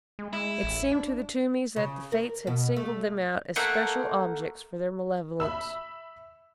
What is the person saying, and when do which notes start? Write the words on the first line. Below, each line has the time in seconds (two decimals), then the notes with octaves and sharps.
It seemed to the Toomeys that the Fates had singled them out as special objects for their malevolence.
0.19 G#3
0.33 G#3 E4
0.63 A1
0.92 D4
1.76 C#3
2.12 A#4
2.47 B2
2.76 A3
3.56 A3 A#3 F#5 A#5
5.40 E5 B5 E6